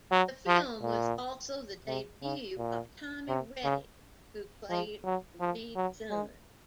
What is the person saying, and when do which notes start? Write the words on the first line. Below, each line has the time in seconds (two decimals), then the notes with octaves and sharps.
The film was also the debut of Tommy Rettig, who played the Reeds' son.
0.11 F#3
0.47 F3
0.82 A#2
1.87 C3
2.23 C#3
2.58 A#2
3.28 C3
3.64 C#3
4.69 F3
5.05 F#3
5.40 F3
5.76 F#3
6.11 G#3